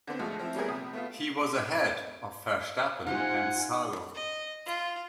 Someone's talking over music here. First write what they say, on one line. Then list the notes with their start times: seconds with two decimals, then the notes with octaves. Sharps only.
He was ahead of Verstappen and Salo.
0.07 D3 B3 C4
0.19 D2 F3 G#3 A3 F#4
0.39 F3 C4 E4
0.55 F#3 G3 A3 B3 G#4 A#4
0.68 A#1 C3 D#6
0.93 A3 B3 F4
3.07 D#4 F4 G4 C5 F#5 G#5
4.15 D#5
4.66 F4